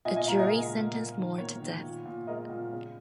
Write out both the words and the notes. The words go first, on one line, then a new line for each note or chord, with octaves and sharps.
A jury sentenced Moore to death.
A#2 D#5 G#5
D#5 G#5
A#2 F5 A#5
D#5 G#5
G#3 A#4
A#2
A#3
D#3
A#3 C#5
D#3
A#2
A#2
G#3 A#4 D#5
A#2
C#3